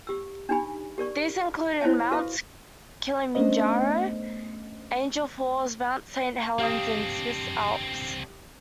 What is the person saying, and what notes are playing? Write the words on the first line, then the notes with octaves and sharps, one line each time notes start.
These included Mount Kilimanjaro, Angel Falls, Mount Saint Helens, and the Swiss Alps.
G4 E6
D4 D#4 G4 G#5 B5
G4 A#4 D5 C#6
E4 C5 C#5 D#5 E5 A5
F#4 A4 B4 E5 F5 C#6
A3 B3 C#4 D4 C5 D#5
C4 D4 G4 F5 D#6